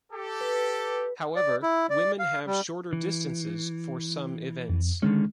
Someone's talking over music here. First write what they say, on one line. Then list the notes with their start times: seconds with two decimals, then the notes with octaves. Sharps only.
However, women have shorter distances for some events.
0.12 G4 A4
0.41 B4
1.36 D5
1.63 E4
1.90 D5
2.19 F5
2.47 G3
2.93 E3
4.69 F2
5.02 D3 D#3 G#3 C#4